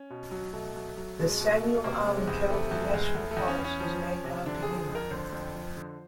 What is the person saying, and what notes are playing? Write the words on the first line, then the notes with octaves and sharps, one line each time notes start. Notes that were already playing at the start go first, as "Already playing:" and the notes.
The Samuel R. McKelvie National Forest is named after him.
Already playing: C#4
B2
F#3
B2 A3
F#3
F#3
B2 G#3
B2
A3
B2
C3 A#3
C3
G#3
E2
C3 A3
E2 A3
E2 G#3
E2 A3
A3
E2
C#4
E2
C#4
F3
F3
C3
D3 D4
G#4
F3
G#4
F2
A#4
D3 C5
F2
F3
D3